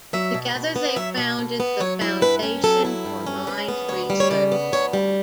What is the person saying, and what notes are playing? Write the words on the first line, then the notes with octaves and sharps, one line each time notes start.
Together they founded The Foundation for Mind Research.
F#3 E5
B2
B2
B3
F#3 E5
B2
B2
B3
F#3 C#5
E4
G2 B4
C#4
F#3 A4
E4
G2
C#4
C#3 B4
B3
D2 C#5
G3
C#5
C#3 D5
B3
D2 C#5
G3